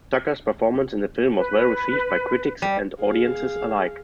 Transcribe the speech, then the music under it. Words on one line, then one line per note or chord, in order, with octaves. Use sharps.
Tucker's performance in the film was well received by critics and audiences alike.
B4
G3
G#4 F5